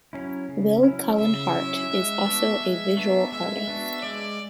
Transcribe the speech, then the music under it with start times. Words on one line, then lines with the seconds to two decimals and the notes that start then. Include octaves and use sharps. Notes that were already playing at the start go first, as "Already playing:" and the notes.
Will Cullen Hart is also a visual artist.
0.13 F#3 C#4 E4
0.49 C#3
0.83 F#3 C#4 E4
1.18 C#3 E5
1.54 F#3 C#4 E4
1.90 G#3
2.25 B3 D4 F#4
2.61 G#3
2.97 B3 D4 F#4
3.32 G#3 E5
3.67 B3 D4 F#4
4.03 G#3 D5